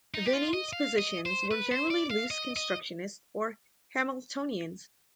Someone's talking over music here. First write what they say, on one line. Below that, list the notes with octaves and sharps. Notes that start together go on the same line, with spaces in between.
Vining's positions were generally loose-constructionist, or Hamiltonian.
D#4
G4
F4
D#5
F5
D#5
C5
B4
C5
D5
F5
D#5
D#5